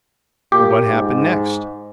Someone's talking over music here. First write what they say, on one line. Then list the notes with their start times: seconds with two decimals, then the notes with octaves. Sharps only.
"What happened next?"
0.52 A#2 G4
0.87 G#2